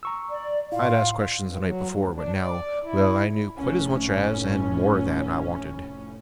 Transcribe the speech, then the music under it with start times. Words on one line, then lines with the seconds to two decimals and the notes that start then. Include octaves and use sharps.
I'd asked questions the night before, but now--well, I knew quite as much as, and more than, I wanted.
0.03 A#5 C#6 E6
0.30 D5
0.72 A2 E4 F4 F5
1.46 G2
1.66 F#3
1.99 D2
2.14 D4
2.39 D5
2.83 E4
3.56 F1 A2 C#4